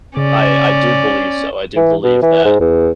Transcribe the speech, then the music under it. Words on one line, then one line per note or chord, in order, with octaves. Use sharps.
I I do believe so. I do believe that,
C#3 C#4 D5
E3
B2
E3
G#2
E2